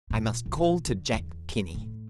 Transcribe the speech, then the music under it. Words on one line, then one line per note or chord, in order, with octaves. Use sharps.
"I must call to Jack Penny."
A#2
A#1
D3
E2
A2